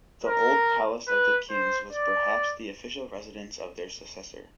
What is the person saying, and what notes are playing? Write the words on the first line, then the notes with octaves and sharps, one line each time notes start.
The old palace of the kings was perhaps the official residence of their successor.
A#4
B4
C5
D5